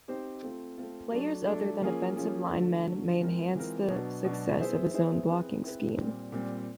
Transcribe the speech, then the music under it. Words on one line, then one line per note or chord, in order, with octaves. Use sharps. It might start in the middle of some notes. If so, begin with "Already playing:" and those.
Players other than offensive linemen may enhance the success of a zone blocking scheme.
C4 D#4 G4 C5
A3 C4 F4
A3 C4 F4
F#3 A3 D4
F#3 A3 D4
F3 A#3 C#4 F4 G#4
F3 A#3 C#4 F4 G#4
D3 F#3 A3
D3 F#3 A3
E3 G#3 C4 F4 A#4
E3 G#3 C4 F4 A#4
B2 F#3 B3 D4
B2 F#3 B3 D4
B3 E4 G#4 C5 E5
B3 E4 G#4 C5 E5
C4 E4 G#4 B4
C4 E4 G#4 B4
A#2 G3 C4
A#2 G3 C4